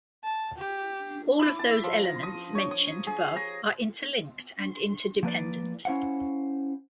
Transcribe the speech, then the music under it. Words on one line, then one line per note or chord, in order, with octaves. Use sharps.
All of those elements mentioned above are interlinked and interdependent.
A5
G4
E4
A5
E5
F3
A#5
D#6
C#5
D#6
G#4
A#5
F3 A#3 B4 D5
C#4 E4 C5 F5 F#5